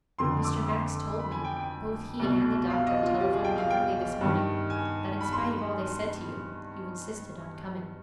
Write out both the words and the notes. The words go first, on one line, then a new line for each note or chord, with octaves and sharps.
'Mr. Max told me--both he and the doctor telephoned me early this morning--that in spite of all they said to you, you insisted on coming.'
F2 D3 C6
D6
C6
B5
G#5
G5
G5
C2 B2
F5
D#5
F4
G4
G#4
G5
F5
G5
G2 D#3
G#5
B5
C6